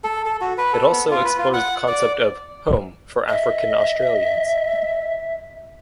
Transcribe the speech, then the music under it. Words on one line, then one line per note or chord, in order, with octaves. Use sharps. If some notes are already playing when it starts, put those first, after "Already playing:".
It also explores the concept of "home" for African Australians.
A4
A4
F#4
B4
A4
B3
F4
B4
F4
F#5
D5
D#5 E5